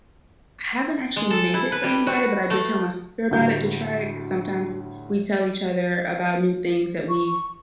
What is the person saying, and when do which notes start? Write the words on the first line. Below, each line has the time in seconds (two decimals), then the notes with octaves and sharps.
I haven't actually made it for anybody, but I did tell my sister about it to try it 'cause sometimes we tell each other about new things that we've
1.16 G#3
1.30 A4
1.54 E4
1.72 B4
1.84 G3
2.07 F#4
2.50 A3
3.31 D2 A2 G3 G6
7.08 C#6